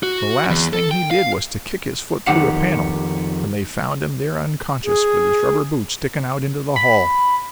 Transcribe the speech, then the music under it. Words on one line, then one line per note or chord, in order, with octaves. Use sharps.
The last thing he did was to kick his foot through a panel, and they found him there unconscious, with his rubber boot sticking out into the hall.
F#4
E2
A4
G5
F5
F2 D#3 D#4 G4 F#5
G#4
B5